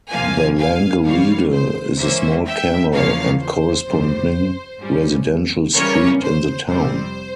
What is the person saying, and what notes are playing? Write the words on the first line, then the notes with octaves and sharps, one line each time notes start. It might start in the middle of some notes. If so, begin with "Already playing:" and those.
The Langelede is a small canal and corresponding residential street in the town.
F2 C3 F3 A#3 F5 G#5
F5 G#5
C3 E3 G3 C#5 F5
C5
G#2 E3 A#3 C#4 C5 E5
E5 G5
E2 C#3 F3 A#3 C#5 F5
C5
F2 C#3 G3
G#2 G3 C#4
C#3 E3 G3 C#4 A#4 C#5
C5
F2 C3 G3 C4 C5